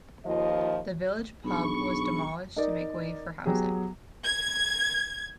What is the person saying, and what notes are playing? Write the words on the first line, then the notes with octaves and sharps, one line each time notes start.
The village pub was demolished to make way for housing.
D#2 F3 F4 D#5
B1 D4 G#4 B5 C#6
D#4 A#4 D5
F#3 B3 G4 G#4
G#6